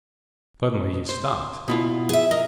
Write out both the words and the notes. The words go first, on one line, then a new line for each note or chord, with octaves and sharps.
Suddenly he stopped.
C5
B2 E4 F4
G#4 E5
A#4 D#5